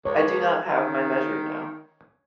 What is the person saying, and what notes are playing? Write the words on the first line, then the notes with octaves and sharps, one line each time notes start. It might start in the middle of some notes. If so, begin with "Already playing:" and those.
I do not have my measure now.
C#2 C#5
D#3